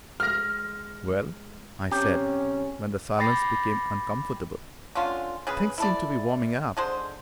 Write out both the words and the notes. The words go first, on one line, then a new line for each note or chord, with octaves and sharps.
"Well," I said, when the silence became uncomfortable, "things seem to be warming up."
G#3 F6 A#6
B1 C4 C#4 G4 A#5
G5 B5 D6 A6 A#6 C7
D3 C#4 F4
C#3 G#4 B4
E4 A4 D5
D3 G#3 C5